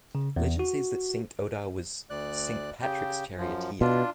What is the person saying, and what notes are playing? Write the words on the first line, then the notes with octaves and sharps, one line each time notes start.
Legend says that Saint Odhar was Saint Patrick's charioteer.
C#3
E2
F#4
D2 D5 F#6
C#3 G4
F#2 F3
B2 D4 F4